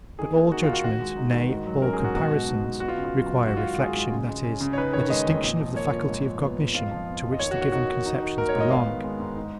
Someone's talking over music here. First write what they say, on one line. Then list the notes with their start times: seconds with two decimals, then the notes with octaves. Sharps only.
But all judgement, nay, all comparisons require reflection, that is, a distinction of the faculty of cognition to which the given conceptions belong.
0.19 D#3 G#4
0.36 A#3
0.51 D#4 F#4
0.63 D#3 F4
0.73 F#4
0.84 D#3 F#4
1.01 G#3
1.16 D#4
1.33 D#3
1.50 G#2
1.67 F#3
1.82 C#4 A#4
1.93 G#4
1.99 G#2
2.04 F#4
2.15 B2 F#4
2.32 G#3
2.48 D#4
2.64 B2
2.80 B3 F#4
2.88 F4
2.98 C#3
3.05 F4
3.14 F#3
3.30 F#2
3.47 G#2 F#4
3.57 F4
3.62 D#3
3.69 F#4
3.79 G#3 G#4
3.96 G#2
4.12 C#3
4.29 G#3
4.44 C#4
4.61 C#3
4.73 C#5
4.77 D#4 B4
4.93 D#3 C#5
5.10 G#3 D#5
5.27 F2
5.42 A#2
5.60 F3
5.75 A#3 C#5
5.92 A#2
6.09 G#2
6.25 F3
6.41 B3
6.58 G#2
6.74 F2 F4
6.91 F3
7.06 B3
7.23 F2
7.32 D#5
7.39 D#3 C#5
7.51 F#4
7.56 A#3
7.61 F#4
7.72 D#4 F#4
7.89 D#3
8.05 D#4
8.22 D#3
8.38 A#3 A#4
8.49 C#5
8.55 G#2
8.60 D#5
8.71 B3 F5
8.87 D#3
9.04 G#3
9.20 G#2
9.36 D#4